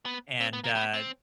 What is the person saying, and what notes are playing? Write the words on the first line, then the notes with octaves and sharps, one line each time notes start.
And, uh,
B3
C4
B3
A#3
B3
C4